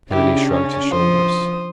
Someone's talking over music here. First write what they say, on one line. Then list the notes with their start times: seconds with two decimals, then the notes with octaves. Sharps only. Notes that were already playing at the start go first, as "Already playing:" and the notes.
Kennedy shrugged his shoulders.
0.11 C#3 D4 E4 G4
0.48 C#4
0.91 F3 C5 D#6